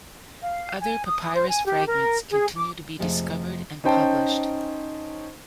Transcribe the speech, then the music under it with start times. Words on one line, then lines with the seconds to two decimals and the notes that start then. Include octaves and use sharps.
Other papyrus fragments continue to be discovered and published.
0.42 F5
0.80 G#5
1.05 D#6
1.35 C5
1.49 G#5
1.65 G4
1.88 A#4
2.31 G#4
2.56 D6
2.99 F2 C3 F3 G#3 A3 F4
3.84 C#4 D#4 C5 G5 A5